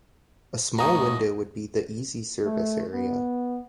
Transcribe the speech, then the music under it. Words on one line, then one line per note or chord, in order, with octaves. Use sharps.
A small window would be the easy service area.
D#2 A2 F#4 A#5 D#6
A3
B3